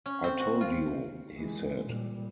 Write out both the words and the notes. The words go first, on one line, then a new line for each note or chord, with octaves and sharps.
"I told you," he said.
C#4
C4
F#4
F4
E3 G#3
A#2 G3